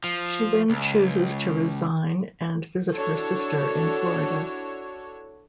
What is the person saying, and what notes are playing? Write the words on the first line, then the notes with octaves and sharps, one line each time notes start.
She then chooses to resign and visit her sister in Florida.
F3
C#2
D4 E4 F#4 A4 C#5